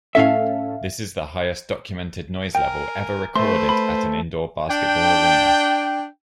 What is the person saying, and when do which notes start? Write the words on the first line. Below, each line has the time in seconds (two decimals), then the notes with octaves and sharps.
This is the highest documented noise level ever recorded at an indoor basketball arena.
0.15 A2 C#4 A4 E5 F5
2.55 A#4 G5 G#5
3.36 A3 B4 C5 C6
3.69 B5
4.70 D4 G5